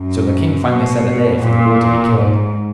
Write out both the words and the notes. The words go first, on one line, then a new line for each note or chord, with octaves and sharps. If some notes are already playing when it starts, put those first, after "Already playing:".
So the king finally set a day for the bull to be killed.
Already playing: F#2
B2
A#2
G#2